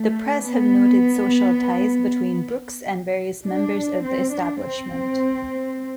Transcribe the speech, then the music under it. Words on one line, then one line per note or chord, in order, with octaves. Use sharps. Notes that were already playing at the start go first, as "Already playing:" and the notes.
The press have noted social ties between Brooks and various members of the Establishment.
Already playing: A3
B3
D4
C4
D4
C4